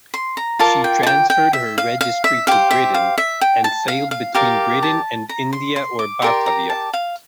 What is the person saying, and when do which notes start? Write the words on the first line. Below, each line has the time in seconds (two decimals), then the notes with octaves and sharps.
She transferred her registry to Britain and sailed between Britain and India or Batavia.
0.14 C6
0.37 A#5
0.59 F4 A#4 D5 A5
0.84 G5
1.03 A5
1.07 G5
1.30 G5
1.53 E5
1.78 F5
2.01 F5
2.24 E5
2.47 G4 C5 F5
2.71 E5
2.94 F5
3.18 E5
3.41 G5
3.64 A5
3.88 F5
4.11 F5
4.34 G4 A#4 D5 F5
4.83 A5
5.29 A#5
5.53 C6
5.76 C6
5.99 D6
6.22 G4 A#4 D5 C6
6.46 A#5
6.70 A5
6.93 F5